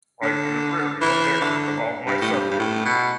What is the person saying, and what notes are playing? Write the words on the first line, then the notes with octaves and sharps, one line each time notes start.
I feel very protective about my subjects.
D3
E3
D3
G2
A2
G2
G2
A2
B2